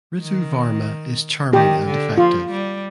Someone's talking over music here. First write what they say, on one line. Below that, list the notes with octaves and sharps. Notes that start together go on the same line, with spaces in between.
Ritu Varma is charming and effective.
D#3
D#3 G4
D3
F3 F4
G3